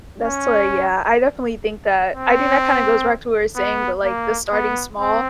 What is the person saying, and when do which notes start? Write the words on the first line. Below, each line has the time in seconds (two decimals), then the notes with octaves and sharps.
That's why Yeah, I definitely think that I think that kinda goes back to what you were saying, about, like, the starting small.
0.24 C#4
2.14 C4
3.56 B3
4.04 A#3
4.52 B3
4.99 C4